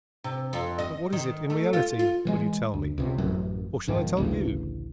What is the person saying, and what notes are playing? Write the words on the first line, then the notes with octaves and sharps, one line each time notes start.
But what is it, in reality, will you tell me? Or shall I tell you?
C3
F2
D#5
D#3
A3
F4
F4
E3 F3 G#3
D2
C#2 C3
A1 F#2
B1 G#2 D#3 F3
A1 D2 C#3